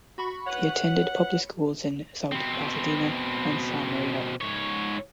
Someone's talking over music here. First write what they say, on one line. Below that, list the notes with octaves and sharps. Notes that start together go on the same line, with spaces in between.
He attended public schools in South Pasadena and San Marino.
F#4 B5 C#6
B4 C#5 F#5
B2 C4
G#2 C#5